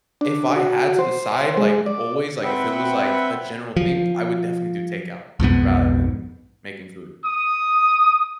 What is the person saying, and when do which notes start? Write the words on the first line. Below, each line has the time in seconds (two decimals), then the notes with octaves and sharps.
if I had to decide, like always, like if it was like a general thing, I would definitely do takeout, rather than making food.
0.21 D4
0.56 F#4
0.99 C5
1.57 G#3
1.86 D5
2.44 C4 B4 E5 F#5 G5
3.77 F3
5.40 B1 F2 G#2 B3
7.25 D#6